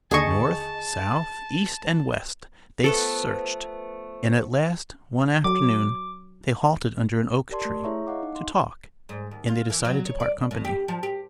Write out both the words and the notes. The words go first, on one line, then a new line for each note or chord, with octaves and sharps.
North, south, east, and west, they searched; and at last, one afternoon, they halted under an oak tree, to talk, and they decided to part company.
D#2 D3 G#4 D#5 A5 C#6
F3 A3 B3 A4
F#3 D6
G4 A#4 D5 A5 C6
A3
E4 G#4 C#5 E5 A#5 C#6
D#5 F5 F#5 D6
D#4
C6
G#2
D#2
F4
E3
F#3
C#5
D5
A2
G4
F3
G4